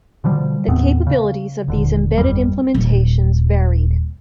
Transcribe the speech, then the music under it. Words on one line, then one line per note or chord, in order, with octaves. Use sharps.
The capabilities of these embedded implementations varied.
B2 D3 F3 G3
D#2 A2 B3 C4
C#3
D#1 D3
G1 F2 G3
D#1